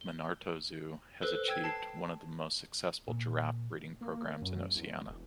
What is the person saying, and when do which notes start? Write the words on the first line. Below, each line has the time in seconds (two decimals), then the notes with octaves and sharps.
Monarto zoo has achieved one of the most successful giraffe breeding programs in Oceania.
0.01 G7
1.22 A4 B4 C5 E6 F#6
1.48 G5 E6 G#6
1.64 A5 C7
3.08 A#2
4.01 A#3
4.41 F#2
4.75 E2
5.07 E1